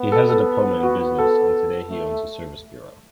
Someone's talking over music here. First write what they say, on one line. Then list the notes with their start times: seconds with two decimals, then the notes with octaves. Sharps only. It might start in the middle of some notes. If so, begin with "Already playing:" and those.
He has a diploma in Business, and today he owns a service bureau.
Already playing: B3
0.12 A4
0.29 A4
0.83 F#4
1.18 A4
1.90 A3